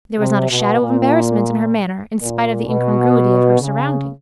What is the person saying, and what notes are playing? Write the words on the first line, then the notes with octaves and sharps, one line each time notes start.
There was not a shadow of embarrassment in her manner, in spite of the incongruity of her surroundings.
C3
B2
A#2
A#2
B2
C#3